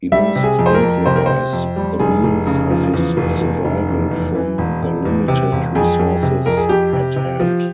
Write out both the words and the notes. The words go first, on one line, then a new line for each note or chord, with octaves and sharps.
He must improvise the means of his survival from the limited resources at hand.
G3 E5
C3
G#4
F2
C5
A#4
F2
C3 C5
A#4
C3 C5
F2
G3
F1 G#4
F1
C#3
F3
E2
F1
F1
F1
E2
E2
E3
E1
E1
E2
C3
E1
F2 G#4
F2
C3
F2 A#4
G#4
F2 G4
C3
C3
F3